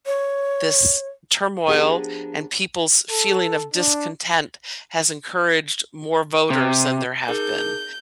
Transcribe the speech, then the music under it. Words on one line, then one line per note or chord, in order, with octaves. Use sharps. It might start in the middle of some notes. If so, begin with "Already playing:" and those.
this turmoil and people's feeling of discontent has encouraged more voters than there have been,
C#5
F3 B3 D4 G4 G#4 A#4
A4
D4
C3
D#4 G#4 A#4 G6